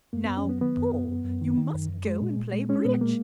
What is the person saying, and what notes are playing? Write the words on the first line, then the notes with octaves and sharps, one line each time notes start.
Now, Paul, you must go and play bridge.
F#2 A#3
F#2 B3
C#4
F#3 B3
D#3 B3
F#2
F#2
F#2
F#2
D#3
D#3
F#2
F#2
G#3
A#2
A#2
G#3
G#3 C#4
A#2 B3
G#3 A#3